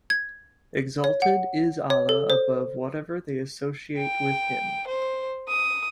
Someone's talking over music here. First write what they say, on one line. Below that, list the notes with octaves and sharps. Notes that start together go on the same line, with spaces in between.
Exalted is Allah above whatever they associate with Him.
G#6
C#5
F#5
C#5
A4
C5
G5
C5
D#6